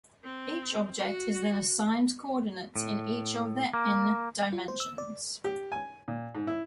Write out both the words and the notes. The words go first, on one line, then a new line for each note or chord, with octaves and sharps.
Each object is then assigned coordinates in each of the "N" dimensions.
C4
F#4
A2
A#3
F4
C5
E6
D5
G4
G#5
A#2
G#2
E4